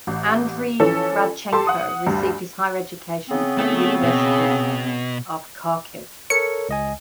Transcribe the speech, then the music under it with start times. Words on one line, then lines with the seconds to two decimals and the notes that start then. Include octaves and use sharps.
Andriy Radchenko received his higher education at the universities of Kharkiv.
0.07 A1
0.80 E3 F3 C#4 A4
1.52 G4 A4 A5 C6
1.67 F#5 D#6
2.06 D2 G2
3.29 C#3 B3 C4
3.58 A3
4.03 B2
6.30 A4 A#4 C#5 C#7
6.69 C#2 D#5 G#5